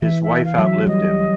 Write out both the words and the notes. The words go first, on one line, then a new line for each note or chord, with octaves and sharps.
His wife outlived him.
E3 E5
E5
F5
F#3
E5
G3 D#5